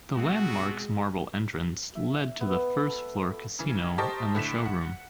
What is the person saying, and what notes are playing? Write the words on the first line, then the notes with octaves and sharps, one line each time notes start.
The Landmark's marble entrance led to the first-floor casino and the showroom.
B2 G#3 B3 C4 F#4
E5
B3
A4
C#3 E3
G4 A#4 C5 D#5 A5 C#6
A2 D3 B6 E7
F#5